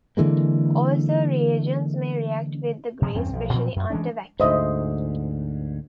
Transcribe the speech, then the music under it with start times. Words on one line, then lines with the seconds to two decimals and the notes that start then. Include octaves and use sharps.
Also, reagents may react with the grease, especially under vacuum.
0.17 D3 E3 G#3 A#3
3.02 C3 F3 G#3
3.14 E2 G2 C4 C#4
3.33 B1 F3
3.53 A#2 F3 F#3 C4
3.76 F#2
3.90 E3 G#3 C#4 D4
4.40 D2 G#2 C5 D#5 E5